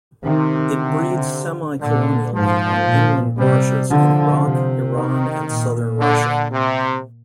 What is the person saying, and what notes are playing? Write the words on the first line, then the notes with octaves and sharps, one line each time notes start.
It breeds semi-colonially on inland marshes in Iraq, Iran and southern Russia.
C3 D#3
D3
A#2 D3
G#2 F3
A#2
C3 G3
D3 F3
C3
D#3
A#2
D3
C3